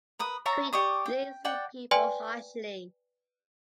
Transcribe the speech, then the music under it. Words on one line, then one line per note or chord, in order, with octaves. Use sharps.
Treat lazy people harshly.
A#4 B4 D#6
C#5 E5 A5 A#5
G4 D5 C#6 D#6
G5
D5 F#5 G5 A5
B4 D5 G5 G#5 C6